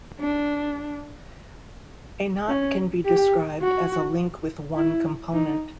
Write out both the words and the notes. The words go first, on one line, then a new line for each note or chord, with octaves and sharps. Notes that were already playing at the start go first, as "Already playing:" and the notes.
A knot can be described as a link with one component.
D4
C#4
G4
F#4
E4
D#4